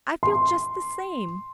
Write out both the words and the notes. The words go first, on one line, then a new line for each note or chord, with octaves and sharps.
I feel just the same.
C6